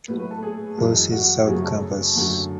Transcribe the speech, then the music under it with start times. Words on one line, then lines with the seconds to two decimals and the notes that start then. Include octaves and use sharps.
Louis' South Campus.
0.08 A2 F#3 A3 B4
0.19 B4
0.31 A4
0.43 G#4
0.77 F#2 E3 G#3
1.12 F#4
1.46 F#2 C#3 F#3 A3 G#4
1.63 A4
2.15 F#2 D3 A3